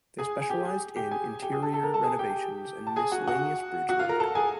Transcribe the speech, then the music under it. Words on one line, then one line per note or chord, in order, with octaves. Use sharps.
They specialized in interior renovations and miscellaneous bridge work.
G#4 G#5
G#5
G4 G5
G#4 G#5
G4 G5
G#4 G#5
G4 G5
G#4 G#5
A4 A5
A4 A5
A#4 A#5
A4 A5
G#4 G#5
G4 G5
A5
G#4 G#5
F#4 F#5
F#4 F#5
F#4 F#5
F4 F5
A#4 A#5
A4 A5
G#4 G#5